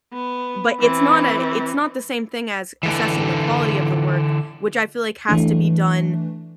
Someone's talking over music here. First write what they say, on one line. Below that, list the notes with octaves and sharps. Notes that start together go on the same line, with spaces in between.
but it's not a it's not the same thing as assessing the quality of the work, which I feel like has to be done
B3
E3 C4
D3 E3
E3 A3 D4